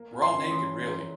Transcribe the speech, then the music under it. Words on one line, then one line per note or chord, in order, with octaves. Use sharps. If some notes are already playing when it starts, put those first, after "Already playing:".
We're all naked really.
Already playing: A#3
F4
C6
C#4
E3